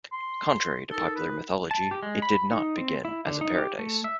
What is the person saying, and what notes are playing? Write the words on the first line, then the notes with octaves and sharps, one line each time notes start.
Contrary to popular mythology, it did not begin as a paradise.
C6
D#4 A4 A#4
B4
A5
G4
G#3
B5
D#4
C4
E4
D3
D#4
G4
A3
E5